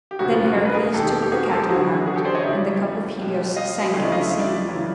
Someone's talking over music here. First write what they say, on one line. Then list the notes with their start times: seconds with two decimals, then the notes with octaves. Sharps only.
Then Heracles took the cattle out, and the cup of Helios sank in the sea.
0.11 G4
0.19 E1 D2 C#3 F3 F#4
0.32 F4
0.45 F#4
0.57 A#4
0.65 B4
0.74 G#4 A#4
0.94 E1 D#2 D#3 G4 A4
1.22 G4
1.32 F#4 G#4
1.44 A#4
1.50 G4 A4
1.69 F#2 D3 F#3 F#4 G#4
2.07 F#4 G#4
2.16 G4 A4
2.25 C5 D5
2.35 C#5 D#5
2.43 E2 C#3 F#3 D5 E5
3.18 C#2 B2 G3
3.57 D#5 F5
3.94 D2 C#3 E3 A3 D#5 F5
4.03 D5 E5
4.12 D#5 F5
4.22 E5
4.31 F5
4.39 D5 E5
4.68 F#2 C#3 E3